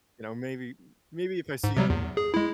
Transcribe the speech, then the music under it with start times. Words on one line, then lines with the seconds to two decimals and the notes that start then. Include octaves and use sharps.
you know, maybe maybe if I see them
1.64 G#2
1.77 C3 F#3 G3
1.90 E2
2.17 G#4
2.34 G#3 E4